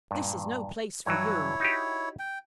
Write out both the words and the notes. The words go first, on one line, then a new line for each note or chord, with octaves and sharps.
'This is no place for you.'
G2 A#2
G2 E3 F#3 E4 C#5
D#4 F#4 G4
G5